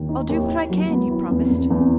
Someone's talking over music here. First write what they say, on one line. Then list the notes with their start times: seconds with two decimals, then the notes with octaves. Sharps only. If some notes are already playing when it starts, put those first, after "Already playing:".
"I'll do what I can," he promised.
Already playing: D#2 D#3
0.09 D#4
0.29 D#2
0.49 E4
0.69 F#3
0.90 B3
1.10 E4
1.31 E2
1.50 E2
1.70 E2